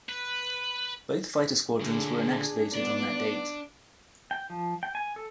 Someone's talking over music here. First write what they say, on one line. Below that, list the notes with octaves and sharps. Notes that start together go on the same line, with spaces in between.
Both fighter squadrons were inactivated on that date.
B4
A#2 D3 D4 G#4
B3 D4 D5
G5
F3
G5
G#5
A4